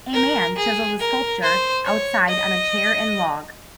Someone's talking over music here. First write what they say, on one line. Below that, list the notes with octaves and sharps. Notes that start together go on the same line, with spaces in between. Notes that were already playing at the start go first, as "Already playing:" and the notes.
A man chisels a sculpture outside on a chair and log.
A#4
G#4
A#4
C5
C#5
D#5